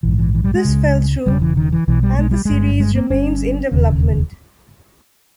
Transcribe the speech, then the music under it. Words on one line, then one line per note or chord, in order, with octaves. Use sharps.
This fell through and the series remains in development.
A#1 G#2 E3
E3
E3
G3
G#3
C#2 C#3
E1 D#2 C#3 G3
E3
D#3
E3
B1 B2 E3
G3
G#3
G3
G1 G2 G#3
G#3
A#3
G1 G2 C#4
E1 D#2 C#3